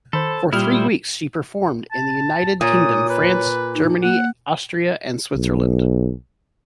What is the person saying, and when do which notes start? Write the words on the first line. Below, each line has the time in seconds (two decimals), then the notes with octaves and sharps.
For three weeks, she performed in the United Kingdom, France, Germany, Austria and Switzerland.
0.13 D#3 A4 C5 B5 C6
0.53 A#2 G3 E4 C5 D#6 F6
1.92 A5
2.61 A#2 C#5 D#6
3.10 B4
3.75 D#4
4.03 A#3 F#5
5.35 B1